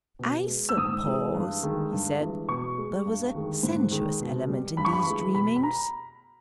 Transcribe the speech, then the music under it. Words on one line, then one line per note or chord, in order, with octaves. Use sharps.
"I suppose," he said, "there was a sensuous element in these dreamings?"
B2
G#3
E6
G#2 D#6
E3 G#3
G2
D#3 G#3
G2
E3 G#3
B2 C#6
G#3
G2
D#3 G#3
G#2
D#3 G#3
B2
G3
G2 B5
C#6
B5
E3 G#3
B2 B5
B5
A#5